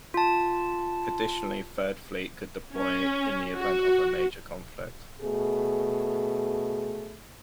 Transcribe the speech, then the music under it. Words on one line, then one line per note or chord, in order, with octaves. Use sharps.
Additionally, Third Fleet could deploy in the event of a major conflict.
F4 A5
C#4
F#4
B2 A3 G#4